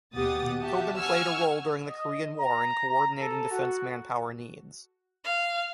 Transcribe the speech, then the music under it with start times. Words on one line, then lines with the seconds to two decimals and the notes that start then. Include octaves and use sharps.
Tobin played a role during the Korean War in coordinating defense manpower needs.
0.15 D#2 B2 G4 F#5 D#6 A6
0.62 F#4 G4 E5 A5
0.98 F#5 G#5 C#6 E6 F6 G#6
1.89 D#5
2.40 A#5
2.89 A#5
3.20 A4
3.51 F#4
5.24 F5